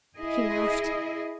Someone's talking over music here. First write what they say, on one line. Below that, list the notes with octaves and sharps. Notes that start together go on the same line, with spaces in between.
He laughed.
E4 G#4 D#5